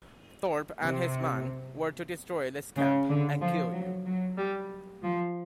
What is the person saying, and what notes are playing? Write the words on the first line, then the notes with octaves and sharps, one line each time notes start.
Thorpe and his men were to destroy this camp, and kill you.
C3
C#3
D3
F3
F#3
F#3
G3
F3